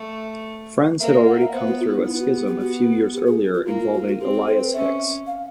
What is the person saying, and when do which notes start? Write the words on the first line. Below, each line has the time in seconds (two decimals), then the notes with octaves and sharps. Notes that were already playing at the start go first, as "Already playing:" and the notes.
Friends had already come through a schism a few years earlier involving Elias Hicks.
Already playing: A3
1.00 A#3 E5
1.13 D5
1.26 F#5
1.40 E5
1.53 B3 C5
1.67 F#4
1.80 F4
1.93 D#4
2.06 B3 E4
2.20 F#4
2.33 G4
2.47 G4
2.61 F#4
3.14 G4
3.26 G#4
3.54 F4
3.67 A#3 E4
3.80 F4
3.94 F#4
4.07 F#4
4.20 C4 G4
4.33 G#4
4.47 A4
4.60 B4
4.73 C#4 E5
5.27 F5